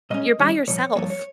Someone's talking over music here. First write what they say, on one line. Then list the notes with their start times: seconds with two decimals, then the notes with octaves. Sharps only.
you're by yourself.
0.10 A#2 G#3 C#4 D#5
0.39 D#2 D#3 G3 C#4
0.68 C2 A#2 F3 C#5
0.96 G2 F3 A#3 C#5
1.10 C#5